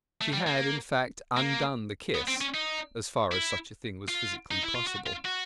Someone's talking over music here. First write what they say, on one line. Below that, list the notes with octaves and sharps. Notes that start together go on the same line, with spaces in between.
She had, in fact, undone the kiss, as far as such a thing was physically possible.
A3
G3
A#3
A#3
B3
C4
C#4
D#4
E4
F4
D#4
E4
F4
F#4
F4
F#4